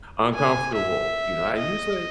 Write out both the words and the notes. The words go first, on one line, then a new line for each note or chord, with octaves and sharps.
uncomfortable. You know, I usually
G#5
E5
D#5